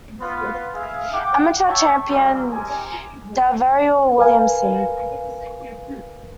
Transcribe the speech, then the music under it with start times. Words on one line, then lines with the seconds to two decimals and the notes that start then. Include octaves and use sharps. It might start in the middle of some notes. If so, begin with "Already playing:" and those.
Amateur Champion DaVarryl Williamson.
0.21 B3 F4 B4
0.74 G#4 E5 F5
1.13 F#5 G5 D6
1.67 C#5 E5 G5 A5 C#6
2.08 G3 A#3 C4 C#4 F4 G#4
2.52 C4 D#4 G4 A#4 G#5
4.18 A#4 B4 F5 G#5